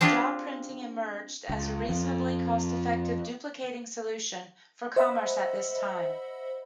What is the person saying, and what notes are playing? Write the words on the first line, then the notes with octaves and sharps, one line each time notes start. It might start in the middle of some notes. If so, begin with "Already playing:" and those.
Job printing emerged as a reasonably cost-effective duplicating solution for commerce at this time.
C4 D4 F4 G4 G#4
C#2
F2
C5 D#5 E5 F#5 B5 E6